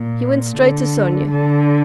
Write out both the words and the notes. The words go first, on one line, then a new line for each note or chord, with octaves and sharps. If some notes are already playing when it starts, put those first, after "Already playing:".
He went straight to Sonia.
Already playing: A#2
D3
D3